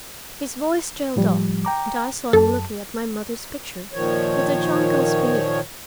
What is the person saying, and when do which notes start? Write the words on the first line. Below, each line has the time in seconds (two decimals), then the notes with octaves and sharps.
His voice trailed off, and I saw him looking at my mother's picture, with the jonquils beneath.
1.16 A2 F3 G3
1.65 G5 A#5 D6
2.33 F#2 A4 A5
3.93 A#2 D#3 F3 C#5